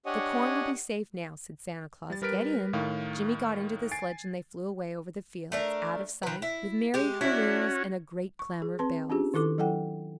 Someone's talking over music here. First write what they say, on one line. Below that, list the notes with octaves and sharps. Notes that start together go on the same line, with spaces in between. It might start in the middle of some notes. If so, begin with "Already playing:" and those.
"The corn will be safe now," said Santa Claus, "get in." Jimmy got into the sledge and they flew away over the fields, out of sight, with merry halloos and a great clamour of bells.
D4 G4 C#5 D#5 F#5 G#5
G3 A6
G3 A#4 B4 F6 B6 D7
A2 D#3 F5
G#5 A6 C7 D7
A3 D4 A#4
D#3 B4
E4
G#3 G4
C#4 D4 E4 F#4
C#6
G#4
C4 B4 A5 C6
C#4 D4 F4 G4 G#4
D#3 E4 A4 D6
F#3 E4 A4 F#5 G5